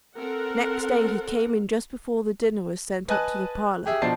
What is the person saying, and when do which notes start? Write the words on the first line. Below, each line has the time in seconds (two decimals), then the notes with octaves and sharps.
Next day he came in just before the dinner was sent up to the parlour.
0.16 C4 A4 A#4 F#5
3.09 B4 D#5 G#5 A5 F#6
3.86 G4 G#4 E5
4.02 B2 F3 D4 C5 A5 C7